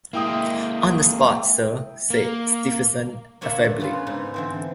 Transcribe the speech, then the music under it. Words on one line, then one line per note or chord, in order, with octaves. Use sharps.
"On the spot, sir," said Stephenson affably.
G#3 A#3 E4 G5 D#6
A#3
D3 A#3 C#5 E5 F#5
G2
C#3 B3 C#4 F4
G#2 C#3 D#4
D3 E3 C4